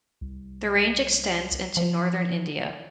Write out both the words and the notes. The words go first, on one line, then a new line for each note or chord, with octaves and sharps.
The range extends into northern India.
C2
F3